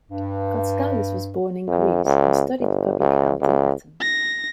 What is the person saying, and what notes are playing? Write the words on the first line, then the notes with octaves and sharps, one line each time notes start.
Vatskalis was born in Greece, and studied public health in Athens.
G2
F2
C#2
G1
C#2
C#2
A#6